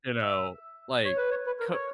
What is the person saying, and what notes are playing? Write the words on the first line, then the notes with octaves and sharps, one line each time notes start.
you know, like, k
E5
C#5
B4
C#5
B4
A#4
C#5